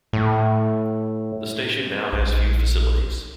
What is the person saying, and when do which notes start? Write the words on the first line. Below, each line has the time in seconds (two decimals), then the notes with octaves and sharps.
The station now has few facilities.
0.13 A2
2.12 A#1